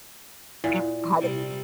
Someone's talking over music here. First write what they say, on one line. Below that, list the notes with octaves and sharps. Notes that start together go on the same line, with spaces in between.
it had a
A#2 E4
C3 G3